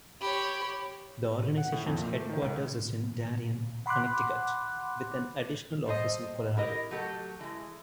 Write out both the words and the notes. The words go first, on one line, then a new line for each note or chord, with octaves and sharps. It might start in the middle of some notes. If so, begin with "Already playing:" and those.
The organization's headquarters is in Darien, Connecticut, with an additional office in Colorado.
G4 C#5 B5
F#5
A2
F2
A#2
A3
D#3
C#2
F#5 B5 C6 D6 F#6
G3 A4 C5 D#5
E4 G4 A#4 D#5
F#3 A3 G4 A4
E3 G#3